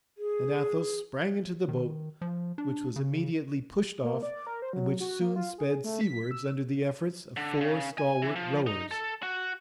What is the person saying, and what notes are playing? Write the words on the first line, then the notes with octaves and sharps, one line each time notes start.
And Athos sprang into the boat, which was immediately pushed off and which soon sped seawards under the efforts of four stalwart rowers.
G#4
D#3
F3
D4
C#3
A#3
D5
A#4
C5
F#3
F#4
A#3
F4
G#4
A3
B6
E6
D3
C#3
G#5
E3
F3
D#4
A4
F#4